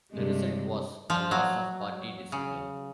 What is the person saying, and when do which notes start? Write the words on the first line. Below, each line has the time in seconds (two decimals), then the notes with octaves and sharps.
The result was a loss of party discipline.
0.12 G2 C3 G#3
1.10 F3
1.31 F#3
2.32 C#3